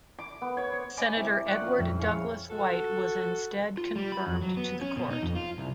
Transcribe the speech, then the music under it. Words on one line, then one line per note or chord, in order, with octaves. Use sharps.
Senator Edward Douglass White was instead confirmed to the Court.
D6
B3
C#5
C5
C#5 D#5 G#5 B5 D6
C4 E4 G4 A#4 E5
D5 F#5 G5 C#6
C4 C#4 F4
A#1 F2 G4 E5
E4 G#4 C#5 F5 B5
F#4 A4
F4
G3
B5
F2
F#3
B3
C#4
B2
D#4
F2
F4
C2